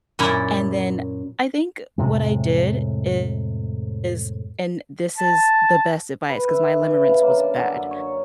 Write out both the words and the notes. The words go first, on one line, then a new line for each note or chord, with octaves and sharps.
and then I think what I did is- and this is the best advice 'cause my limerence was bad,
F#2 A#2 E4 D5 A#5
F2 A2 C3 G#3
A5
B4
E5
E3
C#3
A#3
D4
D3
F#2
C#5